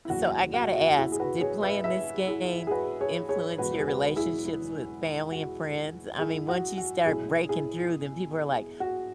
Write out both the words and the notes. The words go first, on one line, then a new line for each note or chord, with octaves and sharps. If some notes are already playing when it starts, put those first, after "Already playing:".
So, I gotta ask, did playing this game influence your relationships with family and friends? I mean, once you start breaking through, then people are like,
E4
F#1 E2 E3 F#4
F#4
F#4
F#4
E4 G#4
G#4
F#4 B4
G#4 C#5
B4 E5
B4 E5
E4 G#4
G#4
F#4 B4
G#4 C#5
G#4 C#5
E1 E2 C#3 F#4 B4
G#4
F#4 B4
E4 G#4
E4
F#4
E4 G#4
F#4
F#4
B1 B2 E4 G#4
E4 G#4
F#4